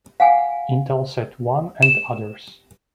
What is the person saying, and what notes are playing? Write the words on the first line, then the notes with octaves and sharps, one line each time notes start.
Intelsat One and others.
F5 F#5 G#5
E7